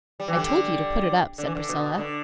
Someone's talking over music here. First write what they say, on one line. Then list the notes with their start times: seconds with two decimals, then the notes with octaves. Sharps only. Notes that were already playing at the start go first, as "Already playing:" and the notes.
"I told you to put it up," said Priscilla.
0.20 G3
0.28 E3
0.36 D3 G3
1.38 D3
1.47 E3
1.55 D3
1.69 B2
1.98 D3